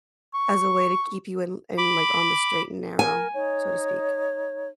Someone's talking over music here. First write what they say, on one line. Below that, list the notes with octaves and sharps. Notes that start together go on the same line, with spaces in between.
as a way to keep you in in, like, on the straight and narrow, so to speak.
C#6
B5 D6
A#4 G#5
D#4 C#5